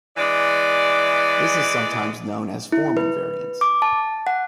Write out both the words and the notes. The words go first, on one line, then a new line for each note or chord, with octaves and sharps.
This is sometimes known as form invariance.
E3 G#3 D5
E4
B4
D6
A5
F#5